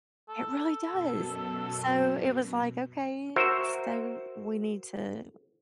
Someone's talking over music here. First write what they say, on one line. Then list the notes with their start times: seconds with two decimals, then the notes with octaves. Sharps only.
It really does! So, it was like, "Okay, so, we need to,
0.29 A4
0.89 F#2 B2
3.36 F#4 A#4 C5 E5